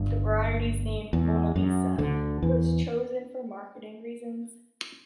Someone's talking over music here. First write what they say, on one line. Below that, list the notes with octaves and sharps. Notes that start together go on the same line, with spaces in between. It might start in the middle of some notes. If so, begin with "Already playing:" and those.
The variety’s name, 'Monalisa,' was chosen for marketing reasons.
Already playing: G1 G2
E2
F#2
D2 D3
E2 E3